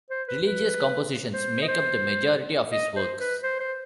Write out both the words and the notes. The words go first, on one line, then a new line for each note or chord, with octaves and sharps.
Religious compositions make up the majority of his works.
C5
B4
B4
C5
D#5
C5
D#5
C5
B4
C5
C5